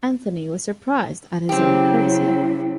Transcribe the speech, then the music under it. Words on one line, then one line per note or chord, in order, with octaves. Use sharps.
Anthony was surprised at his own courtesy.
C#3 F#3 C4 E4 G4